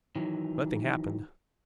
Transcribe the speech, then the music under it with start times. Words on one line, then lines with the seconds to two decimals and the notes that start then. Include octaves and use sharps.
Nothing happened.
0.16 D#3 E3 F#3